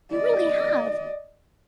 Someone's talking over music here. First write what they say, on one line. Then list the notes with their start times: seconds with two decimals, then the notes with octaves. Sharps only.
We really have.
0.12 D5 D#5